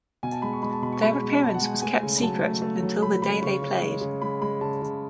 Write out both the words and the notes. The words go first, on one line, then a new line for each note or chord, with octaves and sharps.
Their appearance was kept secret until the day they played.
B2 G#5
A5
G#3 B5
C#6
G#3 B5
A5
B2 B5
C#6
G#3 B5
G#3
G#3 A5
F#5
G#3 G#5
A3 G#5
C#3
F#3 A5
A3
A3
F#3
F#3 B5
C#3 B5
C#3 C#6
C#3
G#3
C#3
G#3 B5
G#3 B5
C#3 A5
C#3